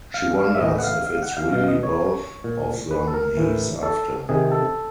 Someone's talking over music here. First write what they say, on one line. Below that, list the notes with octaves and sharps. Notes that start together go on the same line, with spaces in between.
She wonders if it's really both of them he's after.
F5
F5
E5
A2 E3 D#5
F#5
F5
F5
F#5
F5
B2 F5
D#5
C#5
A#2
B4
A4
A#4
A2 E3
A4
C3 D#3 G#4
A4